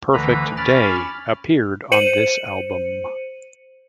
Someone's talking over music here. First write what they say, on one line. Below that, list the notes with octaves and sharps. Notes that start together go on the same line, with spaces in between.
"Perfect Day" appeared on this album.
D2 D3 E3 B4 A#5 B5
C#4 B5 D6 F6 A6
C5 C#7 D#7 F#7